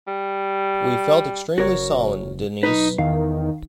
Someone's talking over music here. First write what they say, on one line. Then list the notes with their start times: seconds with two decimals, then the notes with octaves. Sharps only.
We felt extremely solemn, Denise.
0.08 G3
1.58 F#1 F#4 A#4 C#5
2.63 B1 D#4 B4
2.98 E2 D#3 F5